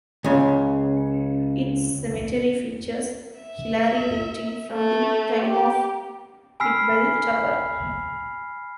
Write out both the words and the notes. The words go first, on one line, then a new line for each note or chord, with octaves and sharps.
Its cemetery features Hilarri dating from the time of the bell tower.
C#2 C#3
E5
A3
G4
G#5 B5 E6 F6 B6 C7